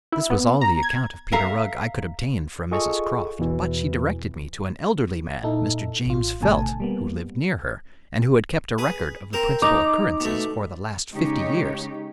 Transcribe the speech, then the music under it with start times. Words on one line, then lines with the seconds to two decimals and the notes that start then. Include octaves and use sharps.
This was all the account of Peter Rugg I could obtain from Mrs. Croft; but she directed me to an elderly man, Mr. James Felt, who lived near her, and who had kept a record of the principal occurrences for the last fifty years.
0.12 E4
0.30 B3
0.61 A#5
0.83 G#6
1.32 A4 E5 F5 A#5
2.71 F4 G#4 A4 D#5 C#6
3.39 E2 B2 E3
5.44 A#2 D#4 E4 A4
6.06 A1 F4
6.41 G#1 B2 D3 A3 G#5 A5
6.80 G3 A#3 B3
8.78 G#4 B4 D#6
9.33 C4 A#4 C5
9.62 D#4 A#5 D6
10.20 B2 A3
11.11 C#3 G#3 D#4 G4 C#5